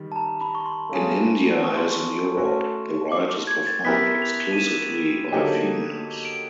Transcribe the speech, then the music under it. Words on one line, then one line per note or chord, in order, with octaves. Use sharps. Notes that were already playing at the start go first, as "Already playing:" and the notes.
In India, as in Europe, the rite is performed exclusively by females.
Already playing: D#3 G3
A5
A#5
B5
C#6
C6
A3 C#4 F4 G#4
C#6
C6
C#6
A3 C#4 F#4
D6
D6
G#6
A6
B3 E4 G4 A#4 B6
F7
D#7
E7
D3 F#3 A#3 D#4 G4
D7